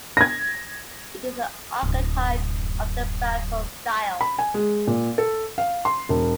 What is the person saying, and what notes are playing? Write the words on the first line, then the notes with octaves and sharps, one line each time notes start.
It is the archetype of the Baphuon style.
G#6 A#6
D1 F#2
B5
G#5
G#3
A#2
A4
F5
C6
E1